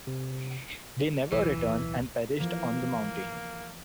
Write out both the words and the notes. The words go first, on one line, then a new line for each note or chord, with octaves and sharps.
They never returned and perished on the mountain.
C3
D1 B1 E3
E3 F3 A#3